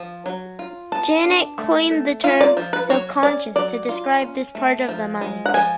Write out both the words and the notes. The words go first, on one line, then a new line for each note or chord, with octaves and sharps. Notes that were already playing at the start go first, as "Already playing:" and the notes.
Janet coined the term 'subconscious' to describe this part of the mind.
Already playing: F3
F#3
F4
B3 A5
D4
A3
A3
F4 F5
D5
F3
B4
F#3 C#5
C#4 D5
F#3 D5
F4
C#4
A3
F3
G#3
F#5
F3 G#5